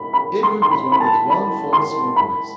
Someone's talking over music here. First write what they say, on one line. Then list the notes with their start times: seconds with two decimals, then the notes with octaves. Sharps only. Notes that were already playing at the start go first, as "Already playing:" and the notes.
Edward was one of those well-informed small boys.
Already playing: B5
0.13 B5
0.43 C6
0.62 C6
0.71 B5
0.92 B5
1.00 A5
1.30 B5
1.73 C6
2.16 B5